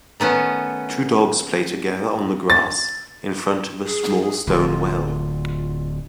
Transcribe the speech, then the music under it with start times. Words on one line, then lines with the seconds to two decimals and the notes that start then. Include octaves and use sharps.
Two dogs play together on the grass in front of a small stone well.
0.20 D#3 A3 B3 C#4
2.50 A6
3.87 G#4
4.48 D1 D2 F4
5.07 F4